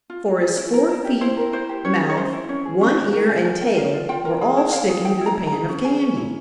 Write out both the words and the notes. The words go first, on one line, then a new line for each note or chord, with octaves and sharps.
For his four feet, mouth, one ear and tail were all sticking to the pan of candy.
F4
F4
G#4
E4
A#4
E4
G4
E4 C5
A#4
E4 C5
G4
C#4 C#5
G#4
C#5
C#4 C5
E4
C#4 C#5
G#4
C#4 F5
E4
A#4 G5
F4 G#5
F4 G#5
A#4 G5
A#4 F5
F4
F4 G5
A#4
G#4
E4
E4 F5
G#4
G#4 G5
E4
A#5
E4
A#5
G#4
C#4
G#4
C#4
E4